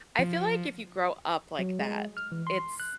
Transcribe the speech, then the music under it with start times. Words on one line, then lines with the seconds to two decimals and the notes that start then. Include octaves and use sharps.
I feel like if you grow up like that, it's
0.19 F3
1.59 F#3
1.79 G#3
2.17 F6
2.32 E3
2.47 C6
2.80 F#6